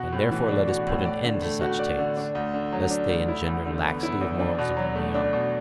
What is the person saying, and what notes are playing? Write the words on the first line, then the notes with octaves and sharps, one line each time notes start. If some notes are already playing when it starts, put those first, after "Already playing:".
And therefore let us put an end to such tales, lest they engender laxity of morals among the young.
Already playing: B2 F#4
A2
E3
D4
F#4
A2
D5
D3
A3
F#4
D5
D3
D4
D2
D3
F#3
D4
D2
E4
E2
D3
B3
E4
E2
D4
B2
F#3
A3
D4
B2